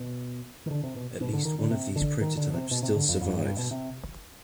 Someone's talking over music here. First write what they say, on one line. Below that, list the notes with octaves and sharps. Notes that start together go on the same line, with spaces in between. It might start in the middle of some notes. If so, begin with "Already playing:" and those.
At least one of these prototypes still survives.
Already playing: B2
D#3
D3
C3
B2
B2
D3
D#3
D3
C3
D3
D#3
D3
C3
B2
C3
D3
F2
F2
G2
G2
B2
C3